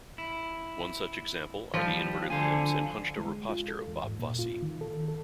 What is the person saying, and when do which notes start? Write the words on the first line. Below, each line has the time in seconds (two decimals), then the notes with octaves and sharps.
One such example are the inverted limbs and hunched-over posture of Bob Fosse.
0.18 E4
1.74 F3 G3
2.30 D3 C5 G#5
3.18 G#3
3.49 F4
3.68 A4
3.88 E2
4.04 G#2
4.19 A#2
4.39 F4
4.62 D#3
4.81 A4
5.08 A4